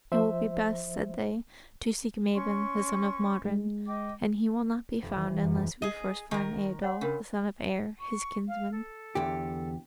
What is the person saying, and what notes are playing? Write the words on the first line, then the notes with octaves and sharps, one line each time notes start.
"It will be best," said they, "to seek Mabon the son of Modron; and he will not be found unless we first find Eidoel, the son of Aer, his kinsman."
F3 C5 E5
C#4 C6 C#6
G#3
D#5 G5 D6
F1
E3
F#2
E1
G#4 D#5
D#3 A#4
C#5 F#5 C6
C#3 D4 A#4 B5
C#6
F5
A4
E2 D3 G4